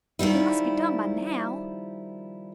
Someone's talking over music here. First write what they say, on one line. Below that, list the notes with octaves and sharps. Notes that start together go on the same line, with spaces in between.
"They must be done by now."
D#3 F3 G3 E4